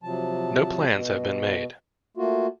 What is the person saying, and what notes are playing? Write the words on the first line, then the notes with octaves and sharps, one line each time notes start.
No plans have been made.
C3 F3 F#3 A5
B2
A3 A#3 F4 F#4